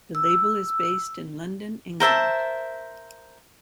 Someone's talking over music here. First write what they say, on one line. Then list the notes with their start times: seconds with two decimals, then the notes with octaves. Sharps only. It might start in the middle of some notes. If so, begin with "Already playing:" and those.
The label is based in London, England.
0.15 E6
2.00 A#4 C5 E5 A5